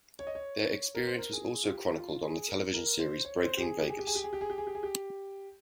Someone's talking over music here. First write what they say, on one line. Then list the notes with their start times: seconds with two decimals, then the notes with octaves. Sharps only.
Their experience was also chronicled on the television series Breaking Vegas.
0.19 C#5
0.27 D#5
0.35 C#5
0.95 A#4
1.06 C5
1.18 A#4
1.33 G#4
1.64 F4
1.72 G4
1.97 F4
2.22 G#4
2.48 A#4
2.73 A#4
2.99 C5
3.25 C#5
3.44 C5
3.57 G4
3.62 G#4
3.81 G4
3.90 G#4
3.98 G4
4.07 G#4
4.15 G4
4.24 G#4
4.33 G4
4.41 G#4
4.50 G4
4.58 G#4
4.67 G4
4.75 G#4
4.83 G4